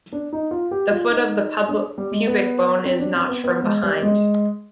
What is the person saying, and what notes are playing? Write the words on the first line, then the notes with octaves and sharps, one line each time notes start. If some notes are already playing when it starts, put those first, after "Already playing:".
The foot of the pubic bone is notched from behind.
D4
D#4
F4
G4
F4
D#4
D4
G3
G#3
B3
C4
D4
C4
B3
B3
G#3
G3
G#3